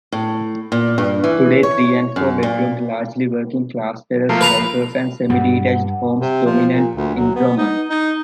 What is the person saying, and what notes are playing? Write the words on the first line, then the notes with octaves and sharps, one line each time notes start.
Today three and four-bedroomed, largely working class terraced houses and semi-detached homes dominate Egremont.
A2
A#2
G2
E3
C#5
F#2
A#2
F3 A3 A#3
B4 A#5
G2 G3 F#5
C3
F3
A#2
D2
F#3
B3
D#4
D#4